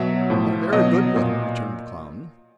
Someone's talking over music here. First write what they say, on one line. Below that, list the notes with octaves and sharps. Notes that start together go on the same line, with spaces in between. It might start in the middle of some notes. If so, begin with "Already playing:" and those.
"But a very good one," returned the Clown.
Already playing: B2 F#3 E5
A2 F3
B2 F#3 D#5
A#2